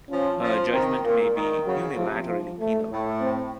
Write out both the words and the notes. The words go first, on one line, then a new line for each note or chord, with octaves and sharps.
A judgment may be unilaterally penal.
F3 C#4
F3
D#3 C4
A#2 A#3
D#3
C#3 F#3
C3 F3
F3
A3
A2
C4